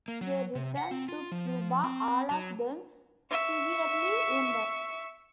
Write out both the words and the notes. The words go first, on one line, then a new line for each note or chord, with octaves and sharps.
They returned to Cuba, all of them severely wounded.
A#3
F#3
C3
F#5
C4
F4
F3
C4
F#3
E5 C#6